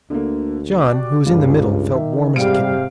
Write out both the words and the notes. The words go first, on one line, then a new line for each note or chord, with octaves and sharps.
John, who was in the middle, felt warm as a kitten.
D2 D3 A3 A#3
F#4 G4 D5 D6
C#2 G2 G3 F4
D#3 E5
G#2 C3 G3 G4 F5 D7